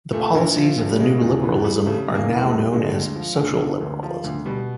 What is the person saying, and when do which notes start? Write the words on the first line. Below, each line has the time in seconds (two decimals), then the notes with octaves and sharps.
The policies of the New Liberalism are now known as social liberalism.
0.13 A#2 A3
0.35 A#1
0.56 F3
0.78 A#1
0.89 G3
0.99 C#3 G#3
1.21 E2
1.43 E3
1.64 G3
1.86 C#3 A3
2.08 E2
2.15 A#3
2.29 E3
2.44 G#3
2.51 G3
2.73 D3 G#3
2.95 D2
3.16 F3
3.37 D2
3.59 D3
3.81 D2
4.03 F3
4.24 D2
4.46 B2 G3